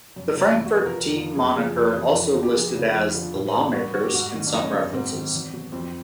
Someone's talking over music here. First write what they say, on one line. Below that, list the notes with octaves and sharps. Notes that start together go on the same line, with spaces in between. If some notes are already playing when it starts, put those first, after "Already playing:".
The Frankfort team moniker also listed as the "Lawmakers" in some references.
F#2
C#3 F3
E2 E4
F#4
C3 F3 B4
A#4
F2
D3 F3
F#2 G#4
C#3 F3 G#4
F2 G4
C3 E3
F2
D3 F3
G4
F2 G#4
C#3 F3
F2
D3 F3
A2
E3
G2 F#4
D3 F#3 F#4
G4
G#2 F#4
D#3 F#3
D4
F#2 D#4
C#4
D3 F#3 C#4
C#4
G#2 C4
D#3 F#3
E2
B2 F#3
F2 C4